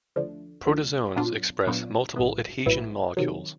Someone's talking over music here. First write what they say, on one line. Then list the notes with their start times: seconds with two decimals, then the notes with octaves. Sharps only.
Protozoans express multiple adhesion molecules.
0.16 D2 D3 F3 A3 D4
0.66 D2 D3 F3 A3 D4
1.16 A#2 F#3 B3 D4 F4
1.67 A#2 F#3 B3 D4 F4
2.16 A#1 A2 F#3 B3 E4
2.66 A#1 A2 F#3 B3 E4
3.17 C3 D#3 F#3